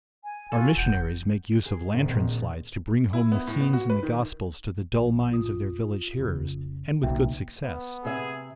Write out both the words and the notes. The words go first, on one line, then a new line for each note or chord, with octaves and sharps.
Our missionaries make use of lantern-slides to bring home the scenes in the Gospels to the dull minds of their village hearers, and with good success.
G#5
F4 F#4 A4 G#5
E1 F#5 G6
G#4
G#1
A#1
E4
B3
A2
B3
F#4
B4
D#3
A#1
F4 D#6
F1 C#3
B1 C#3 A#3 F#4 E5 G5
B3
C3 G#4 E5